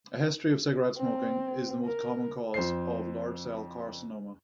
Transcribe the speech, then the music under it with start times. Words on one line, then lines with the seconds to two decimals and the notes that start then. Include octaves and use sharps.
A history of cigarette smoking is the most common cause of large cell carcinoma.
0.98 C4
1.85 A#4
2.54 F2 C5 C7